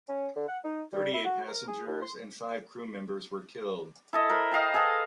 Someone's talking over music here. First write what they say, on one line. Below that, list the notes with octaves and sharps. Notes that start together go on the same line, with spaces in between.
Thirty-eight passengers and five crew members were killed.
C#4
D3
F#5
D#4
G3
E4
F#4
A#4
G#4
D#2
C6
E4 A4 D#5
A#4 C5 B5
D#5 F5 G5 A5
G#4 A4 B4 F5